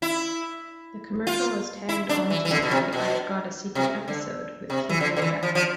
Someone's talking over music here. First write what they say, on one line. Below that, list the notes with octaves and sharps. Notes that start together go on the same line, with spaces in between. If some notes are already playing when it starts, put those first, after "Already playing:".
The commercial is tagged onto the I've Got a Secret episode with Kim Novak.
E4
F4
E4
D4
E3
E3
D3
B2
C3
B2
C3
D3
C3
E3
D3
D3
E3
F3
F3